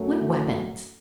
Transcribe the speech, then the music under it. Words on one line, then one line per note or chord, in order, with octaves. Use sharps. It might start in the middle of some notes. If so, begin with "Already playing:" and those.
"What weapons?"
Already playing: F#2 F#3 A3
E4